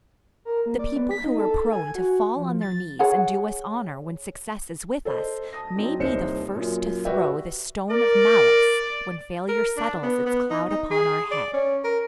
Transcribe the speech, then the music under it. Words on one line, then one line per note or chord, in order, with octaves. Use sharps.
The people who are prone to fall on their knees and do us honor when success is with us may be the first to throw the stone of malice when failure settles its cloud upon our head.
A#4
A#3
D5
B3
B6
D#4
A4
G#5
F#4
F3
A6
G#4 C#5 F#5 G#5
A4 C5 D#5
A5 D#6 A#6
F#3 C4 D4 D#4
D#1 C2 D#4 C5 C#7 E7
F#2 A#2
F#4 G4 B4 D5 E5 G5
A#4 D5
A#4
D4
B3
B3
D#4
D#4
G#4
D5
C#4
A#4